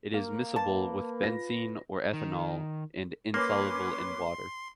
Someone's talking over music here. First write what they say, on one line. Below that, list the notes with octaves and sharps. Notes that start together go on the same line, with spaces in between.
It is miscible with benzene or ethanol and insoluble in water.
A#3
B4 A5
F4 A#6
D#3
A#3 C#4 B4 C6 D6